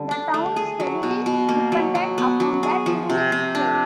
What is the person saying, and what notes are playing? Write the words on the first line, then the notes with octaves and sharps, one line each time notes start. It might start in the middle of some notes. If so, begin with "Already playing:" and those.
The town is heavily dependent upon the tourist trade.
Already playing: D3 G3
D4
A3
G#4
F#3
B2
B2
A#3
F#3
F#3
B3
F#3
G#4
F3
C3
C3
D4